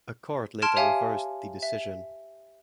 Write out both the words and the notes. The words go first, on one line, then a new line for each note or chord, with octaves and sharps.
A court later reversed the decision.
A5 C6 F6 G#6 D7 E7
G4 C#5 E5 F5 G#5
E5